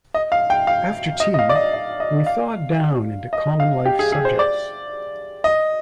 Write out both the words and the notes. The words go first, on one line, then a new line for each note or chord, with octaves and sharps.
After tea we thawed down into common-life subjects.
D#5
F5
G5
F5
D#5
D#5
F5
D5
D#5
D#5
D#5
F5
D#5
F5
G4
G#4
G#4
C5
D5
D#5